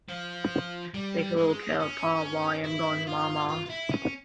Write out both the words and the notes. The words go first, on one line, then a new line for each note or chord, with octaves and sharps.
Take a little care of Pa while I am gone, Mama!
F3
G3
G#3
C#4
E4
F4
F4
F4
E4
C#4